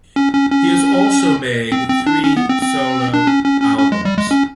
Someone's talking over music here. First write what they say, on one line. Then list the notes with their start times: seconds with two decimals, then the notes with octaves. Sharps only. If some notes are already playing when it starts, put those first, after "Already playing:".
He has also made three solo albums.
0.16 C#4
0.34 C#4
0.51 C#4
1.72 C4
1.89 C4
2.07 D4
2.24 C#4
2.37 B3
2.49 C4
2.62 C4
3.14 D4
3.27 C#4
3.45 C#4
3.62 C#4
3.79 C#4
3.92 G#3
4.05 G3
4.18 G#3
4.31 C#4